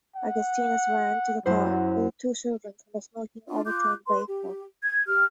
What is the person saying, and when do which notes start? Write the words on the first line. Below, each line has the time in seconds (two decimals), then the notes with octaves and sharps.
Augustinus ran to the car and pulled two children from the smoking, overturned vehicle.
0.16 F#5
1.46 F#2 F#3 E4 C5
3.48 D4 F4
3.66 F4 D6 F#6 G6
4.07 B4 C6
4.28 G4
4.82 G#6
5.07 G4 F6